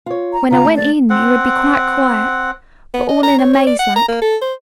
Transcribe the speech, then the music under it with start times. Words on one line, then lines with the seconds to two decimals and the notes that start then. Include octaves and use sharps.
When I went in he would be quite quiet, but all in a maze like.
0.06 F4 C#5
0.33 A#5
0.51 C#3 F4 A#5
0.65 A3
0.76 D5
1.10 C4 F#5
2.94 B3
3.09 D#5
3.23 A#5
3.38 C#5
3.53 C#5
3.67 D5
3.79 F#5
3.96 A#5
4.08 A#3
4.21 A4
4.42 C5